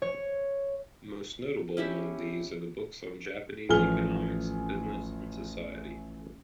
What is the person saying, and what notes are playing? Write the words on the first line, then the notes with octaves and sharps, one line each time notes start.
Most notable among these are the books on Japanese economics, business, and society.
C#5
C#4 E4 G4 E5
A1 F3 A3 G#5 F6 G7